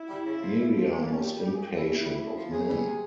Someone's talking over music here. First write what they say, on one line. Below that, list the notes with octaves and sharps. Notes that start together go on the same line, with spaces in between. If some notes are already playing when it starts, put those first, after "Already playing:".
Miriam was impatient of men.
Already playing: E4
G3
C#3
F3
A#2
F3
C3 G#3
A#3
G3
C#4
A#2 G4
G3
G4
A#2 G#4
G4
F3
E4
A#2 C#4
E4
G3
C#3
F3
C#3 G#4
E3 G3
C3